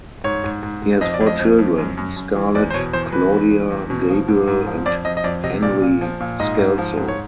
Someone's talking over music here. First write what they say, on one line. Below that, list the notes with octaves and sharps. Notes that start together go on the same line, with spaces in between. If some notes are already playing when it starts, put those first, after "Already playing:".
He has four children: Scarlett, Claudia, Gabriel, and Henry Scalzo.
G#2 C#5
G#2
G#2
G#2
F2 D#5
D5
F2
D#5
F2
F2
F#2
F#2
F#2
E3
E2 D5
C5
B2 C#5
E2 C5
E2 B4
E2
E2
E2
B2
F3
G#2
G#2
F3
F2 D5
F2 D#5
D#5
F2 D5
C3 D#5
A#2 D5
A#2
F3
A#2
G#2 D#5
G#2
F3
G#2
C#5